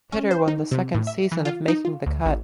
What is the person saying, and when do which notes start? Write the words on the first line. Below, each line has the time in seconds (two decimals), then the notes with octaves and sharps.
Pitter won the second season of "Making the Cut".
0.12 C#4
0.31 C5
0.48 D#4
0.71 C3
0.95 A2
1.07 E5
1.32 E3
1.45 F4
1.68 D#4
1.85 F4
2.06 D2
2.26 A1